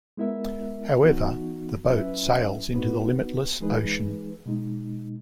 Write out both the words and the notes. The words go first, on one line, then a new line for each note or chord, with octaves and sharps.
However, the boats sails into the limitless ocean.
G#3 B3 E4 A#4 E5
E3 B3 D#4 F#4
F#3 C#4 E4 B4 E5
B3 D#4 F#4 B4
E3 G#3 D#4 G#4 B4
B2 G#3 D#4